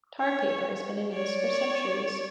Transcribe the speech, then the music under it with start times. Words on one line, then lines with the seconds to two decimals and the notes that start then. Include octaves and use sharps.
Tar paper has been in use for centuries.
0.20 C#5
1.12 C#5 D5